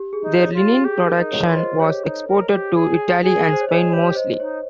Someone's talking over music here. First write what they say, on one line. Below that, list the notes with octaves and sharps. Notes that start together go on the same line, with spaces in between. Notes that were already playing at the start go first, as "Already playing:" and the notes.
Their linen production was exported to Italy and Spain mostly.
Already playing: G4
G#4
D#4
C#5
F4
G4
G4 G#4
A#4
D#4
C#5
F4
C5 D#5
G4 C#5
D#4
A#4
G4
G#4
G#4
C5
C#5
G#4 C5 D#5
G4 C#5
C5 D#5
D#4 C#5